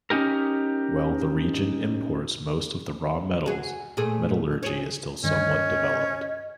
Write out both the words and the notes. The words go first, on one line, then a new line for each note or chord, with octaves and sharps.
While the region imports most of the raw metals, metallurgy is still somewhat developed.
C#4 D#4 G4 A#4
F#4 G#4
A#2 A3 G#4
G#4 C#5
G2 D#3 G3 C#4 D#5